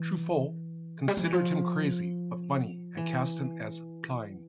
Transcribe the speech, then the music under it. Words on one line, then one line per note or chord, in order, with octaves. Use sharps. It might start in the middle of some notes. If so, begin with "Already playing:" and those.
Truffaut considered him crazy, but funny, and cast him as Plyne.
Already playing: E3
G3
F3
E3
F3
E3